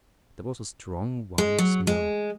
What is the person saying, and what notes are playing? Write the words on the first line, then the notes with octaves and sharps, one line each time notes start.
There was a strong, winey smell.
G#3
F#3
G#3